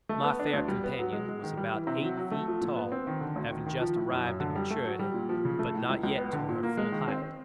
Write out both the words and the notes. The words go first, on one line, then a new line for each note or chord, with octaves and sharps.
My fair companion was about eight feet tall, having just arrived at maturity, but not yet to her full height.
A3
B3
D4
D2
G3
B3
F#3
G#3
G#3
D#3
G3
E3
C3
F#3
F#3
A3
F3
A#2
B3
C4
D#3
D3
D2
D#3
D#3
F3
A2
F#2
F#2
D3
G3
A3
F#3
G3
A#2
F3
C#3
A3
A2
C#2
C#2
B3
D3
A#2
A#3
G#3
D#3
C4
C4